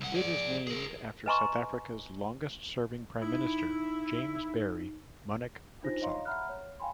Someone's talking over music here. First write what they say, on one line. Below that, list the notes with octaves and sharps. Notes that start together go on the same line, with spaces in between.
It is named after South Africa's longest-serving prime minister James Barry Munnik Hertzog.
C2 F#5
G#4 D5
G#4 A#4
B4 D#5 G#5 A#5 C6 C#6
D#4 E4
D4 D#4 F4 C5 A#6
C#5 D#5 F5 A#5 C6
E5 F#5 A#5 B5 F6 F#6
C#5
F5 G5 G#5 B5 C6